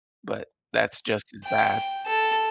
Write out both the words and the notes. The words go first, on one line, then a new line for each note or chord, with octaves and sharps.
but that's just as bad.
G5
A4